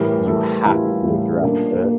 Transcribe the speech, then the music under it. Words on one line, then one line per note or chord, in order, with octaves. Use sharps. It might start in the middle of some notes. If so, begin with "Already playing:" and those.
you have to address it.
Already playing: A2 E3 G3 A#4
A2 E3 G3 A4
A2 E3 G3 E4
F4
E4
A2 E3 G3
C#4
A#2 G3 A#3 D4
A#3